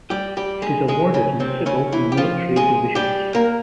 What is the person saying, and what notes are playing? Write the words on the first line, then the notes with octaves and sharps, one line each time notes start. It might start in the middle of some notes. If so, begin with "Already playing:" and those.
It is awarded in civil and military divisions.
G3 G4
G3 G4
G#3 G#4
G#3 G#4
C#3 C#4
C3 C4
C#3 C#4
E3 E4
G4
F3 F4
G#3 G#4
G3 G4
A#3 A#4